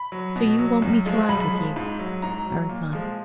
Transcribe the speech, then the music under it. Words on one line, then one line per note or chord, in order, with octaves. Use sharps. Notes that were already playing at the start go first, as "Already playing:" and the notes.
"So you want me to ride with you?" I replied.
Already playing: B5
F#3
B2
F#3
F#2
F3 G#3
F#2 B5
F3 G#3
G#2
F#3
G#2 A#5
F#3
A#2
F3 G#3